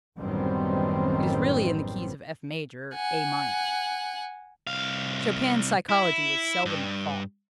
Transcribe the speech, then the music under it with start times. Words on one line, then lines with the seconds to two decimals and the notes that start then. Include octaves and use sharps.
It is really in the keys of F major--A minor. Chopin's psychology was seldom at fault.
0.19 A1 F#2 D#3 G3 B3 C4
2.93 F#5 G#5
4.67 C2 F5
5.89 E4
6.66 G2